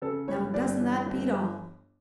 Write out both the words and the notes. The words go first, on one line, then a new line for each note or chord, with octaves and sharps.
Now, doesn't that beat all?
C#3 A4
G1 C#5
G1 D5
E3
G1